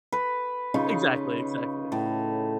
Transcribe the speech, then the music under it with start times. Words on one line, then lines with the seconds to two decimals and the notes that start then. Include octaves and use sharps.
Exactly, exactly.
0.12 B4
0.74 C#3 D#4 F4 C#6
1.92 A2